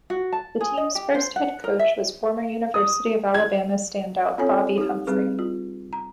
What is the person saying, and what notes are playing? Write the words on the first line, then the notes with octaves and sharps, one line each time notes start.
The team's first head coach was former University of Alabama standout Bobby Humphrey.
F#4
A5
G#4
D#5
G4
C5
F#5
A#4
E5
D#6
G#6
C4 C#4 F4 A4 C#5 G#5
D#4 G4
G3 C4 G#4 B4
F4
A#5